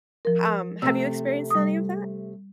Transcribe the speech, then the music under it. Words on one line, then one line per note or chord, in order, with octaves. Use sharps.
H um, have you experienced any of that?
F3 A#4
C3 A3 E6
G3 D#6